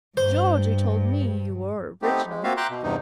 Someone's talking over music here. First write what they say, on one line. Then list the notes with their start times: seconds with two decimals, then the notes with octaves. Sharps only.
'Georgey told me you were original.
0.17 G2 C5
2.02 A3 B3 C4 D#4 G4
2.30 G#3
2.44 A#3 C4 F4 F#4 E5 F5
2.57 E5 G5 A#5 C6 D6 F#6
2.70 B2
2.83 E2 G2 C3 D#4